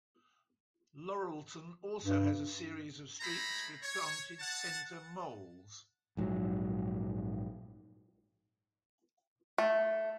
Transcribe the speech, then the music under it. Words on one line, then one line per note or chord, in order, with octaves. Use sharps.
Laurelton also has a series of streets with planted center malls.
G2
G#3 A3 E4 C5 A#5 B5
C#5
F#5 A5
A#1 G#2 D#3 F#3
A3